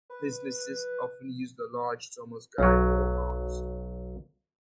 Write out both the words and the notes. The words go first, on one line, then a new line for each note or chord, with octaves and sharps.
Businesses often use the large "Thomas Guide" wall maps.
B4
B1 F#3